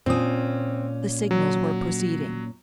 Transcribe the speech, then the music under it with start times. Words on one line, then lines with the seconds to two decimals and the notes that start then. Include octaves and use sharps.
The signals were proceeding.
0.06 A#2 C4 C#4 D#6
1.31 F#3